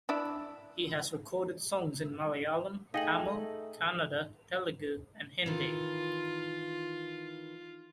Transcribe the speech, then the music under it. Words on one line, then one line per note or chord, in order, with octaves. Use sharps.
He has recorded songs in Malayalam, Tamil, Kannada, Telugu and Hindi.
D4 E4
A3 D#4 G#4 D#5 F5 G5 F#7
D#3 E3 F4